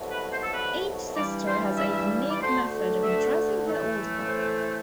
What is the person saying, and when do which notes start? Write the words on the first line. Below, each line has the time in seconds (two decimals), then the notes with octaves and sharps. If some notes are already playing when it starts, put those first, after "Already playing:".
Each sister has a unique method of addressing her older brother.
Already playing: C2 B2 F#3 A3
0.10 B4
0.31 C5
0.42 A4
0.52 B4
1.15 G2 E3 G3 D5
1.46 C5
1.77 E5
1.92 E5
2.29 D5
2.40 D2 D3 A3 C5
3.03 E5
3.65 A2 E3 A3
4.28 C5